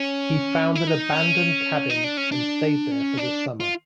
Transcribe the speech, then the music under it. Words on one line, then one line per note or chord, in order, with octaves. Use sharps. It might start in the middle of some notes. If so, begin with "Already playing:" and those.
He found an abandoned cabin and stayed there for the summer.
Already playing: C#4
E4
D#4
C#4
D#4
D4
C#4
D4
C#4
D4
F4